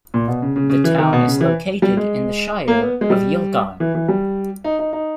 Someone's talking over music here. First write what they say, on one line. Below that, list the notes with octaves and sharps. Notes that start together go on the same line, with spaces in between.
The town is located in the Shire of Yilgarn.
A#2
B2
C#3
C#3
C#3
E3
D#3
B2
C#3
E3
G3
G#3
A#3
B3
G#3
G3
E3
E3
G3
D#4
D#4
D#4